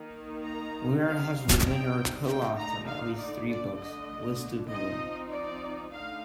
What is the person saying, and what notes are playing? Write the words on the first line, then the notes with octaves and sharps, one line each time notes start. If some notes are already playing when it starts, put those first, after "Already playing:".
Weir has written or co-authored at least three books, listed below.
Already playing: D#3 A#3 D#4
A#5
G3 C4 D#4 F5
G5
D3 A3 D#4 G5
A#5
F5
D5
D3 A3 D4 D5
D#5
F3 C4 D#4 D#5
D5
D3 A3 D#4 F5